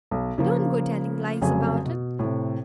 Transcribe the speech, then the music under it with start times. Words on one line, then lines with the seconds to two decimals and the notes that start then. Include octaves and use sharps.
Don't go telling lies about it.
0.11 B1
0.38 C#3 F3 A#3
1.41 F1 F2 C#3 F#3 G#5
1.86 B2
2.19 A2 C3